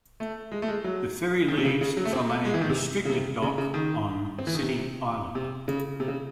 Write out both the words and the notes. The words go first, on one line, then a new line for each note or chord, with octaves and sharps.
The ferry leaves from a restricted dock on City Island.
A3
G#3
A3
G#3
F#3
D#3
C3
C#3
C#3
F#3
A3
C4
A3
G#3
E3
D#3
C3
C#3
C3
C#3
C#3
D#3
C4
E3
D#3
C3
C3
C#3
C3
C#3